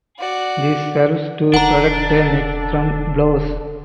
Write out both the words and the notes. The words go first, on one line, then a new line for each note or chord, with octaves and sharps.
This serves to protect the neck from blows.
F#4 D5
E1 D4 A4 F#5 A#5